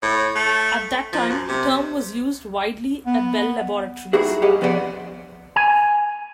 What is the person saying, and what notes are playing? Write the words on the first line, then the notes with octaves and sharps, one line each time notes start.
At that time, the term was used widely at Bell Laboratories.
A2
A3
F3
F#2
C3
B3
G3 D#4 E4 F#4 G#4
G4 G#4 C#5 D#5 F5 F#5
F2 B3 D4 F4 D5 F#5
G#5